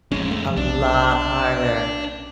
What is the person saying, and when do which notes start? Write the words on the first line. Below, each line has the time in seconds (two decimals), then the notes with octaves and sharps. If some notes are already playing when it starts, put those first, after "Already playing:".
A lot harder.
0.12 A1 F2 G#3 C#4
0.31 A3
0.57 B1 D4